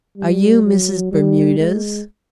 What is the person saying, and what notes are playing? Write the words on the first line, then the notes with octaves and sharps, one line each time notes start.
"Are you Mrs. Bermudez?"
G3
F#3
G3
G#3